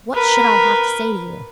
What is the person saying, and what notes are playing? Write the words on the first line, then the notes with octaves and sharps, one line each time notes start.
"What should I have to say to you?"
A#4 B4